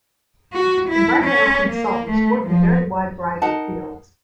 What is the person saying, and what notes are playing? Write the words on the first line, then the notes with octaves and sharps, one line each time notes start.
Environmental consultants work in a very wide variety of fields.
F#4
E4
C#4
A#3
A3
F3
D#4 A#4 F#5 A5